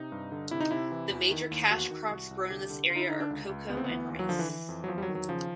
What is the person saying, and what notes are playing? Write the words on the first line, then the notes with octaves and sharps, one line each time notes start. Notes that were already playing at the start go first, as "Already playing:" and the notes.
The major cash crops grown in this area are cocoa and Rice.
Already playing: C3 D#4
G2
D3
C3 E4
D#4
C3 E4
E3
E2
D#3
D#2
E2 F#4
D#3
C2
C2
D3 G4
D3
D3 F4
D#4
E4
D3 D#4
D4
C#2
C#2
D2 B3
C4
B3
E3
D#2
F#3
D3 F3
E3
E3
F2
F#3
E2 F3
G3
F#3
D#3
F#3
C#3 F3